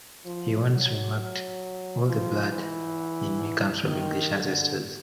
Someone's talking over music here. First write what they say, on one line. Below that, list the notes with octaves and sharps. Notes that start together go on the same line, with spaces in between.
He once remarked "all the blood in me comes from English ancestors".
F3
F#3
F#3
F3
E3
D#3
D3